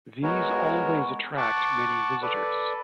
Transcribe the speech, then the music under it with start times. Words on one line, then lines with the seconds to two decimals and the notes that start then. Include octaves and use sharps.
These always attract many visitors.
0.23 G#3 B3 F#4 A#4 C#5
1.37 F#5 A5 C#6 D6
2.22 A4 B4 D5